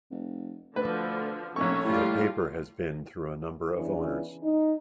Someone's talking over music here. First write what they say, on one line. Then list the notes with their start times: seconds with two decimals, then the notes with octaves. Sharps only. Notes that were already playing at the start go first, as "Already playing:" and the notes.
The paper has been through a number of owners.
0.11 F1
0.76 D2 D3 F3 B4
1.56 F1 A#1 C#4 A4 C#5 C#6
1.85 A2 G3 F4
3.76 C#3 E3 B3 C#4 D4
4.43 D#4